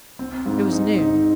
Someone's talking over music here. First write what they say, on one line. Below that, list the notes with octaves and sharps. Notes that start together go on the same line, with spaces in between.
It was noon.
C4
G#2
D#4
D#4